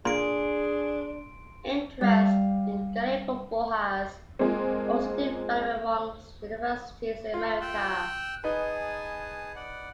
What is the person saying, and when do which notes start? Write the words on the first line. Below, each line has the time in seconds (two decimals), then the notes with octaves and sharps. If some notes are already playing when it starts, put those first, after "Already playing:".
Interest in Gaelic Football has also developed amongst universities in America.
0.05 A#2 A#3 D4 G#4 C6 D7
2.01 G3 F5
4.39 F3 G#3 A#3 C4
7.34 F4
7.61 G5 E6 F#6
8.44 D#4 G#4 B4 G#5 A5
9.55 D5 F#5